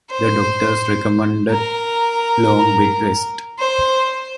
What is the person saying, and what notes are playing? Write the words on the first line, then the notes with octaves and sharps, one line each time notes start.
The doctors recommended long bed rest.
C5
A#4
C5